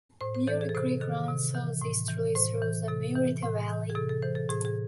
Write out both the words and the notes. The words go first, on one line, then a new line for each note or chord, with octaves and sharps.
Murrieta Creek runs southeasterly through the Murrieta Valley.
A2 C5
C5
E3 A4
G#4
A4
C3 C5
D#3 A4
C3
E3
A2
E3
A2 C5
E3
C3 A4
E3
A2
E3
G#4
C3 A4
A4
E3 C5
A4
A2 G#4
G#4